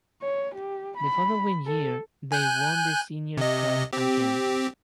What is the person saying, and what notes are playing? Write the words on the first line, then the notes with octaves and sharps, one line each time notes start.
The following year they won the Senior Cup again.
C#5
G4
B5
A4
G#5 F#6 G6
C3 D#5
C4 G4